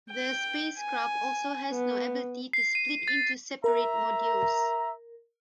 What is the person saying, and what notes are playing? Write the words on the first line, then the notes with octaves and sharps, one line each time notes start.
The spacecraft also has no ability to split into separate modules.
G5
G#5
B3
C7
D#7
A6
A#4 E5 A#5